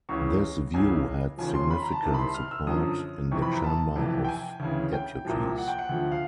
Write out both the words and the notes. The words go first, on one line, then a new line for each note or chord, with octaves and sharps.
This view had significant support in the Chamber of Deputies.
C#2 C#3 E3 C#6
C#2 C#3 E3 G#5
D#2 C#3 F3 G#5
C6
B5
A#5
A5
C2 C3 D#3 A5
B5
C6
F6
E6
F#2 D3 F3 D#6
F2 C3 E3 C#6
B5
A#5
A5
F2 C3 E3
G5
G#5
D2 C#3 E3
G5
C2 A#2 F3
F#5
G5
F#5
D2 D3 F3
F5